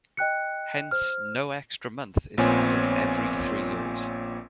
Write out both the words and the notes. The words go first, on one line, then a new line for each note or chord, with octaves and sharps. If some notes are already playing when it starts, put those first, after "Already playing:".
Hence no extra month is added every three years.
D#5 G5 F#6 C#7
C5 F6
A#1 A#2 B3 C4 C#5 G#5